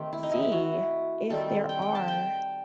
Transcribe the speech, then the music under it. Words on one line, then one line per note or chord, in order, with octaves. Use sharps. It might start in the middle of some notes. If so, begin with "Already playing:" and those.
see if there are
Already playing: D#3 A3 C4 G4
E4
D#4
E4
E4
F#4
D#3 G3 C4 A4
G5
G5
A5
G5